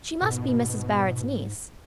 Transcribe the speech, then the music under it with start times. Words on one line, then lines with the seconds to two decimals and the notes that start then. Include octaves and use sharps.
She must be Mrs. Barrett's niece.
0.22 G#2 B2